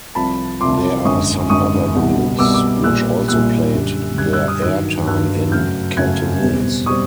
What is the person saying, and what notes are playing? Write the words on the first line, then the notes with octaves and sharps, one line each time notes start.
There are some other groups which also played their air time in Cantonese.
C2 C3 F3 A5 B5
C2 C3 F3 C6 D6
G#1 F#2 D3 C#6 D#6
G#1 F#2 D3 C#6 D#6
C2 B2 G3 B3
C2 B2 G3 B3 D6 E6
D6 E6
A#1 A#2 G3 E6 F#6
A#1 A#2 G3 E6 F#6
F#2 D3 G3
F#2 D3 G3 F#6 G#6
E6 F#6
D#6 F6
G2 D#3 F#3 E6 F#6
G2 D#3 F#3 E6 F#6
F#2 C#3 F#3 A3 F6 G6
F#2 C#3 F#3 A3 F#6 G#6
E2 B2 G3 C4
B2 G3 C4 C#6 D#6